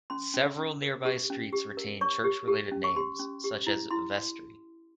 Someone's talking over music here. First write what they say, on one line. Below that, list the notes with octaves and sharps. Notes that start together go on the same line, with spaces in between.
Several nearby streets retain church-related names, such as Vestry.
C#4 C6
C#4
C#4
A#4
G4
C#4
G4
A#4
C#5 C#6
G4
G4
C#4
C#6
G4 C6
C#4
G4
E4
E4 C6